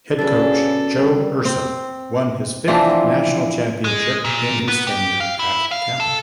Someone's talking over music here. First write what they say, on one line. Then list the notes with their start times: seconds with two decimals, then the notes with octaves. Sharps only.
Head Coach Joe Urso won his fifth national championship in his tenure at Tampa.
0.19 F#2 C#3 B3 D4 G#4 A4 B4
0.96 G3 A#4
1.45 C4
2.68 E3 F3 C4 D4
3.84 G#3
4.24 A#2
4.68 B3
4.87 G4
5.20 F5
5.39 E4
5.71 F5
6.00 A4